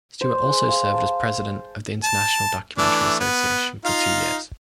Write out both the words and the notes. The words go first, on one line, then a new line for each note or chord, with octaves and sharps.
Stuart also served as president of the International Documentary Association for two years.
C5
G#3
F5
A5
A5
E3 A3 D4
B3
D#4 F4 F5